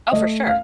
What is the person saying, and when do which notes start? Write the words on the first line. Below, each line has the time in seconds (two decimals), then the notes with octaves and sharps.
Oh, for sure.
0.12 A3 D#5
0.47 F5